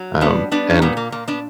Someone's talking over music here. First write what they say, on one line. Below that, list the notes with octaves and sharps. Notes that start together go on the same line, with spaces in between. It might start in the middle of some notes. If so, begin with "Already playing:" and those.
um, and
Already playing: F#3
G3 B3 D4
G3 B3 D4
C#4
A#2 G3 B3
A#3
A#2 A#3
B3 D4